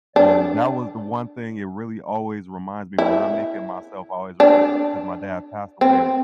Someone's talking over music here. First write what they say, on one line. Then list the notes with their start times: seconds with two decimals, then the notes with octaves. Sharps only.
And that was the one thing it really always reminds me when I make it myself, I always rem 'cause my dad passed away,
0.16 D4
2.99 E4
4.40 D4
5.81 C4